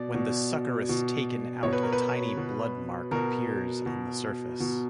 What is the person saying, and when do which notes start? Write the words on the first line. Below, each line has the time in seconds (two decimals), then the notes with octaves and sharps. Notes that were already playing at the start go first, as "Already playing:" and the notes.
When the suckeris taken out a tiny blood mark appears on the surface.
Already playing: B2 D5
0.14 B2
0.89 B2
1.63 B2 C#5
1.73 B4
1.83 A#4
1.93 B4
2.37 B2
3.11 B2 A#4
3.86 B2
4.60 B2